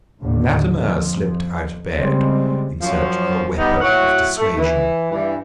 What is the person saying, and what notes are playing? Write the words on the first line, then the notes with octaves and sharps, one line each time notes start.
Latimer slipped out of bed in search of a weapon of dissuasion.
D#2 A2 D3
F2
C#3 G3 G#3 C4
F#2 F3
G3 B3 D#4
A2 F#3 E4 F#4 F#5
A3
E3
G2 E3